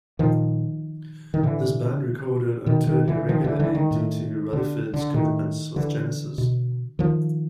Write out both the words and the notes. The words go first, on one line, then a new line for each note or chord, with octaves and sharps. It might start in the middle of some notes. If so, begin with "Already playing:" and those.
This band recorded and toured irregularly due to Rutherford's commitments with Genesis.
A#2 D#3 F3
D#3
A2 D3 E3
B2 D#3
D#3
D3 E3
D#3 F3
D3 E3
D3 E3
D#3
A2
D3
D3
A2 D#3
D3 E3
B2
D#3 F3